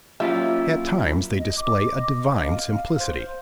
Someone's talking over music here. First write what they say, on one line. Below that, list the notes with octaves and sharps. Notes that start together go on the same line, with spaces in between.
At times they display a divine simplicity.
F#3 A#3 C#4 E4 F4 G4 E5
D#5
D6
D#5
F5
C5